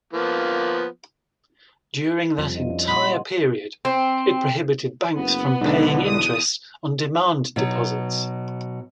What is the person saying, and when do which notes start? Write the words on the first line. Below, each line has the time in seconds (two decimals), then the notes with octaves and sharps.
During that entire period, it prohibited banks from paying interest on demand deposits.
0.13 F3 A#3 B3
2.38 F2 F3 G3
2.56 D4 E4 F4 D#5
2.70 C#4
2.88 A#2 G3 D#5 F#5 B5 C6
3.85 C4
5.17 F#1 B3
5.61 B1 G#2 D3
6.06 E2 D#6
7.56 B2 F#3 D#4